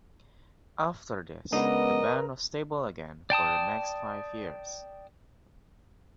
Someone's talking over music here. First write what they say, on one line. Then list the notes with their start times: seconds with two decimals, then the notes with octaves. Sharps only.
After this, the band was stable again for the next five years.
1.52 C#3 G#3 B3 D4 A#4 B4 D#5
3.30 D5 G5 A5 D#6